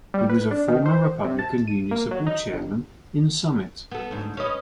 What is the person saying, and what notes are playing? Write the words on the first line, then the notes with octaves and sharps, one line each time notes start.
He was a former Republican Municipal Chairman in Summit.
G3
B4
D4
D#3
C5
C3
A5
D#7
A#3
F#3
D#4
G1
B3 A4
D2 G#2
C#4 B4 D#5